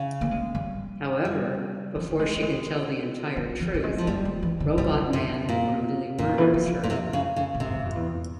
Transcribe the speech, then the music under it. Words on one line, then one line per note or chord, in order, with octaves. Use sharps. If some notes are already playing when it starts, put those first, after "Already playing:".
However, before she can tell the entire truth, Robotman brutally murders her.
Already playing: C#3
A#3
G#3
G3
G3
F3
G3
G#3
G3
G#3
G3
F3
G3
G#3
F3
G3 A#3
G#3
E3
C#3
C#3 G3
C3
A#2
A#2 E3
C#3
E3
F3
A#2
C3
C#3
C#3
A#2
G#2 C3
G2
F2
E2